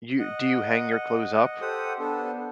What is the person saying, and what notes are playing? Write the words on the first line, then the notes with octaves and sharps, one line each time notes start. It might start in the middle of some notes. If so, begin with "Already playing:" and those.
you do you hang your clothes up?
D#5 F#5
G4 A4 C5 F#5 D#6
B3 D4 A4